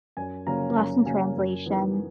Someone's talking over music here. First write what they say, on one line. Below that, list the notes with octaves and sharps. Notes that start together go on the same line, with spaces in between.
Lost In Translation.
F#2 G#5
C#3 F#3 A#3 C#4 A#5
F#2 A#5
C#3 F#3 A#3 C#4 G#5
F#2
E3 B3 D#4